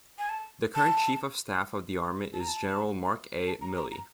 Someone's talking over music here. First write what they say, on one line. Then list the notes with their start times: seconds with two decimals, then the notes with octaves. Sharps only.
The current Chief of Staff of the Army is General Mark A. Milley.
0.18 G#5
0.29 A5
0.75 A5
2.34 A5
2.40 A#5
2.48 A5
3.47 A5
3.61 A#5
3.77 A#5
3.91 A#5